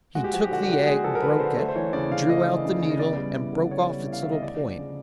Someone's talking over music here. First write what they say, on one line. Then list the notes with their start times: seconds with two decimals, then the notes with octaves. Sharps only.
He took the egg, broke it, drew out the needle and broke off its little point.
0.15 G#3 F#4
0.24 G4
0.33 F3 F#4
0.44 G4
0.51 D3 F#4
0.63 G4
0.69 D3 F#4
0.86 G#3 G#4
1.04 F3 A4
1.15 A#4
1.22 D3 B4
1.39 D3 C5
1.57 A3 C5
1.68 C5
1.76 E3 C#5
1.93 C#3 D5
2.11 C#3 F5
2.28 A3 D#5
2.47 E3
2.65 C#3
2.82 C#3
2.90 D#5
2.99 B3 D5
3.17 G3
3.36 E4
3.53 D3
3.71 B3 C#5
3.89 G3
4.07 E4
4.13 F5
4.23 D3 E5
4.32 D#5
4.42 A3 D5
4.60 F3
4.78 C#3